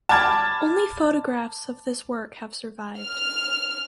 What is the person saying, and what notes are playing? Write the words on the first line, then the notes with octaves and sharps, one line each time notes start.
Only photographs of this work have survived.
A5 B5 D6 F6 G#6 A6
F6